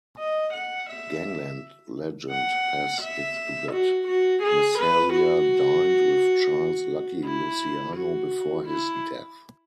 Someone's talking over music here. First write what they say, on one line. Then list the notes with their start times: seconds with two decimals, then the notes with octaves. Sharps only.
Gangland legend has it that Masseria dined with Charles "Lucky" Luciano before his death.
0.19 D#5
0.53 F#5
0.90 E5
2.30 F#5
3.01 E5
3.72 F#4
4.07 F#4
4.42 G#4
4.79 B4
5.13 F#4
7.25 E4
7.96 F#4
8.67 E4